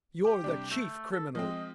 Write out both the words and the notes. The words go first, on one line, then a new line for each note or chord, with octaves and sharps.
You're the chief criminal!
G4 D6
C3 G3 D4
A3 G6
A4
F3 G#3 C4 D#5